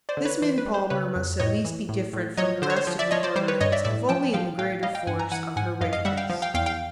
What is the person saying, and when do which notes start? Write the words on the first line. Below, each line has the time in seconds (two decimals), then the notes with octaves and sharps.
This Min Palmer must at least be different from the rest of the Cornerites, if only in the greater force of her wickedness.
0.09 C5 D5
0.17 D3
0.25 B4 C#5
0.42 E3 C5
0.58 B4
0.66 G3
0.74 C5
0.90 C#3 B4 C#5
1.16 F2
1.39 A2 C#5 D#5
1.65 E3
1.89 A2
2.13 A2
2.37 F#3 C#5 D#5
2.62 D3 C5
2.70 C#5
2.76 C5
2.87 F3
2.99 D5 E5
3.11 F3 C#5 D#5
3.23 C5 D5
3.36 G3 C5
3.48 B4 C#5
3.61 G2 C#5 D#5
3.72 D5 E5
3.85 A2 D5 E5
4.09 F3 G5 A5
4.34 F3 F5 G5
4.58 A2 F5 G5
4.83 G3 D#5 F5
4.95 F5 G5
5.07 G2 F#5 G#5
5.19 G#5 A#5
5.32 E3 F#5 G#5
5.56 G#2 F#5 G#5
5.81 F#2 D#5 F5
5.93 D#5 F5
6.05 G3 E5 F#5
6.17 F5 G5
6.30 F3
6.42 F5 G5
6.54 E2 F5 G5
6.66 F5 G5